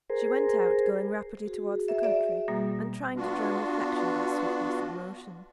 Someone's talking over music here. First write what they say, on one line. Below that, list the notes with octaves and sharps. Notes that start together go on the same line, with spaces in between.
She went out, going rapidly towards the country, and trying to drown reflection by swiftness of motion.
G#4 A#4 C5
F#4 G#4
E5
D5 E5
B2 G3 A#3
B3 D4 F4 F#4